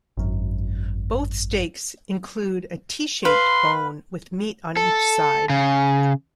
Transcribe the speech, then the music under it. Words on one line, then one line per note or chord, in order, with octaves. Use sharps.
Both steaks include a "T-shaped" bone with meat on each side.
G#1 F#2
B4 F5 C6
A4
C#3